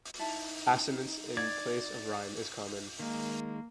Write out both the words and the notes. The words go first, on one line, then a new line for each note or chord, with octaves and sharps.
Assonance in place of rhyme is common.
D#4 E4 A5
D5 G#6
D#3 G#3 A#3